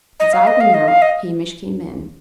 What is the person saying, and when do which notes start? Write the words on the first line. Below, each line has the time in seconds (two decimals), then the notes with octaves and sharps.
As I went out, Hamish came in.
0.20 D#5
0.33 F5
0.47 D#5
0.61 F5
0.74 D#5
0.88 F5
1.02 D#5